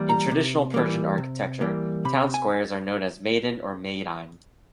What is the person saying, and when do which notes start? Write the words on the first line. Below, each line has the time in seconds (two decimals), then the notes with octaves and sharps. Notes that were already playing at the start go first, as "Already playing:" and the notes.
In traditional Persian architecture, town squares are known as maydan or meydan.
Already playing: E3 G3 A#3
0.09 A#5
0.31 C3
0.74 E3 G3 A#3
1.18 C3
1.61 E3 G3 A#3
2.05 C3 B5
2.34 G#5